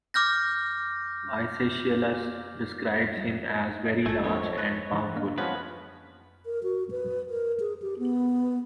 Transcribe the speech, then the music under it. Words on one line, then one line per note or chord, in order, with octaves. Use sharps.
Aeschylus describes him as very large and powerful.
D6 F6 G6 A#6
A#1 G#2 A3 A4 E5 G#5 G#6
F2 D4 A#4 C#5
B4
G#2 D3 E3
A#3 D4 F5
F3 B3 C#4 B4 A#6
A#4
F#4
B4
A#4
G#4
G4
B3